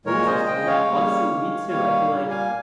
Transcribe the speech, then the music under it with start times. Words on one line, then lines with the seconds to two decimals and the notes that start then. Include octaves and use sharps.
Interesting, yeah honestly, me too, I feel like,
0.05 A#2 G#3 A#4 C#5
0.26 C5 D#5
0.47 C#3 G#3 D#5 G5
0.67 C#5 F5
0.87 C#3 G3 A#3
1.28 D#3 G#3
1.69 D#3 G3 A#3 C#5 F5
2.10 A#2 G3 A#3
2.30 F5 G#5